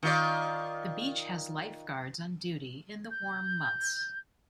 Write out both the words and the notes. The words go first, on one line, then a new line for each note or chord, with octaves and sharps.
The beach has lifeguards on duty in the warm months.
D#3 F4 D5
G6